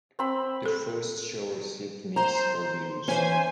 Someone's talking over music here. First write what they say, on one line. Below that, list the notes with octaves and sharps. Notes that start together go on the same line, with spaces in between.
The first show received mixed reviews.
C4 B5
A4
C5 A#5
E3 C#4 C5 G#5